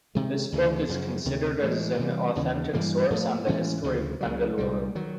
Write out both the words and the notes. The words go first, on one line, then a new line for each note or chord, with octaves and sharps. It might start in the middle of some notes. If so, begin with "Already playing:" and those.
This book is considered as an authentic source on the history of Bengaluru.
C3 D#3 G#3
D2 C#3 E3
F#2 C#3 F3
D2 C3 D#3
A2 E3 G#3
C3 E3 G3
D#2 C#3 E3
G2 E3 G3 A#3
A2 F3 A3
A2 E3 G#3 C#4
D2 C#3 F3
C#2 C#3 F#3
C2 A#2 G3
D#3 F#3